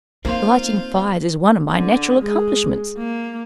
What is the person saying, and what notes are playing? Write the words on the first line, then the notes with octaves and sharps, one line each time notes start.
Lighting fires is one of my natural accomplishments.'
A#3 C4 D#4 F4 C5 F5
D3
G#3
A#3